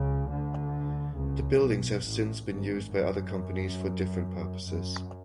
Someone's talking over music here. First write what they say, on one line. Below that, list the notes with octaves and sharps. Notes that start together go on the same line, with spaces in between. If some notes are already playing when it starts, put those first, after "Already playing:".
The buildings have since been used by other companies for different purposes.
Already playing: C#2 C#3
D2 D3
C#2 C#3
B1 B2
A1 A2
G#1 G#2
F#2
F#2